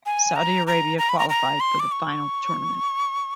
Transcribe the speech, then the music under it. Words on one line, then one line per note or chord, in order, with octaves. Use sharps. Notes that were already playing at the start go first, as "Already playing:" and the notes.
Saudi Arabia qualified for the final tournament.
G#5
A#5
A#5
A#5
B5
A#5
A#5
C6
D6
C#6